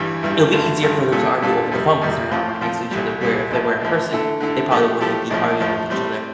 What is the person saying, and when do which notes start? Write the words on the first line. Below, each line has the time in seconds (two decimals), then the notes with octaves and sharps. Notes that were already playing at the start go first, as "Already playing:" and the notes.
it'll be easier for them to argue over the phone 'cause they're not right next to each other, where if they were in person they probably wouldn't be arguing with each other
Already playing: A1 G2 E3 G3
0.22 A1 G2 E3 G3
0.52 A1 G2 D3 A3
0.82 A1 G2 D3 A3
1.12 A#2 G3 D4 F4 A4
1.42 A#2 G3 D4 F4 A4
1.72 F2 C3 G3
2.02 F2 C3 G3
2.31 A2 F3 C4 F4
2.61 A2 F3 C4 F4
2.91 C2 A#2 G3
3.21 C2 A#2 G3
3.51 A#1 A2 F3
3.82 A#1 A2 F3
4.11 D3 A3 E4 A4
4.40 D3 A3 E4 A4
4.71 A2 F3 A3 E4 G4
5.01 A2 F3 A3 E4 G4
5.30 A#1 A2 F3
5.60 A#1 A2 F3
5.90 A2 G3 C4